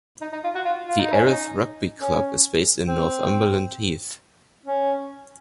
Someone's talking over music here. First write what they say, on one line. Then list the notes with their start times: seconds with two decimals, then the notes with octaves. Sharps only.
The Erith Rugby Club is based in Northumberland Heath.
0.21 D#4
0.33 D#4
0.44 F4
0.55 F#4
0.65 F4
0.88 F4
1.00 D#4
1.12 C#4
1.24 D#4
1.99 C#4
2.87 C4
4.66 C#4